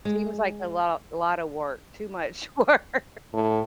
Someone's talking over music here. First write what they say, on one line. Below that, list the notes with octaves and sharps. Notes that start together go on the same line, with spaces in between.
seems like a lot a lotta work, too much work.
G#3
A2